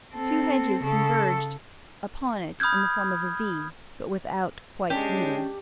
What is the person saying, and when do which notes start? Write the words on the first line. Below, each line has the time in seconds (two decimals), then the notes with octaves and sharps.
Two hedges converged upon it in the form of a V, but without quite meeting.
0.14 C4 A4
0.82 C#3 A4
2.60 B5 D#6 F6 G6 G#6
4.90 G#3 C#4 D4 G4